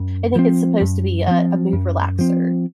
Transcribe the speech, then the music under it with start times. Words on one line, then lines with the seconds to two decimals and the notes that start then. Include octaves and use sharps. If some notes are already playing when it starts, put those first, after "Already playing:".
I think it's supposed to be a a mood relaxer.
Already playing: F#2
0.35 F3 C4
0.81 F#2
1.27 F3 C4
1.73 F#2
2.19 F3 C4